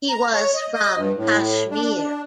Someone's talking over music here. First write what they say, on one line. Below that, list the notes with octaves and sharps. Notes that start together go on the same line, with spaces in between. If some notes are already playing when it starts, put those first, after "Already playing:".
He was from Kashmir.
A#5
C#5
D#5
D#5
G2
A2
D4
D4